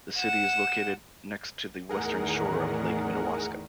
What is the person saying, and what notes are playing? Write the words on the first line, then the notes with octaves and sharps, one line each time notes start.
The city is located next to the western shore of Lake Minnewaska.
F#5 E7
E2 A2 D#3 G#4 A#4 F#5